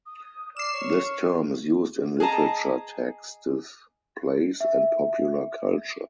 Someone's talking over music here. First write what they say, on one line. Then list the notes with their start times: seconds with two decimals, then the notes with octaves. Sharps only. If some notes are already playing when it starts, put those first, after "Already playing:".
This term is used in literature texts, plays and popular culture.
0.06 D#6
0.57 D5 F6 C7 E7
0.74 C#5
2.20 G#4 D#5 A5 A#5
4.60 E5